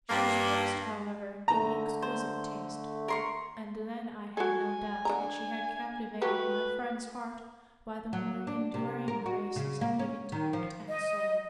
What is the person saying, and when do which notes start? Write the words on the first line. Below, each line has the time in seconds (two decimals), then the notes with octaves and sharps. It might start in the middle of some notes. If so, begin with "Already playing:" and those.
She was dressed, however, in exquisite taste--and then I had no doubt that she had captivated my friend's heart by the more enduring graces of the intellect and soul.
0.10 G2 A#3
1.48 D3 A3 A#5
2.02 C5
3.08 A#4 C6 C#6
4.37 F#4 A4 G#5
5.05 D3 A#5
6.22 F#3 A3 G4 B4
8.13 F#3
8.47 D4
8.74 C3
9.08 A#4
9.26 F#4
9.56 C#3
9.81 A#3
9.99 C#4
10.32 D#3
10.53 F3
10.88 D#5